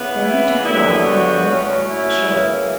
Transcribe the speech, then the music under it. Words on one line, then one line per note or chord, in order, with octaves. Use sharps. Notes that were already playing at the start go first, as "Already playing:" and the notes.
Then he turned off in a narrow path to the shore.
Already playing: C#3 E3 B3
E4
F#2 D3 G3 B3 E4
F#4
A2 F#3 C#4
E4
F#2 C#3 E3